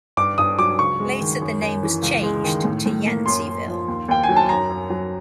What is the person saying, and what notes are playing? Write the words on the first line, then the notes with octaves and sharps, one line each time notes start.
Later, the name was changed to Yanceyville.
G2 D6
G2 D#6
F#3 D6
C#2 C#6
G#3
D#3
F#2
F#2
E3
C#2
G#3
D#3
A2
A2
A#3
F#2 C6
F#2
F3
D#2
D#2 G5
G#5
F#3
A5
F#2 A#5
F#2
F#3